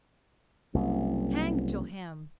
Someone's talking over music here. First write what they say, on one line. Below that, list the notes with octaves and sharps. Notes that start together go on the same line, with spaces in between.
Hang to him!
F#1 C2